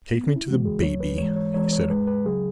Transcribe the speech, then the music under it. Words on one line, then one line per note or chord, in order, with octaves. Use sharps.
"Take me to the baby," he said.
B3
C#4
E4
F#2 C#3 E3 G#3 F#4
G#4
G#2 F#3 C#5
B4
G#2 E3 G#3 C#5
C#5
E2 E3 G#3 C#5
C#5
G#2 G#3 B4
B4
C#2 C#3 F#3 G#4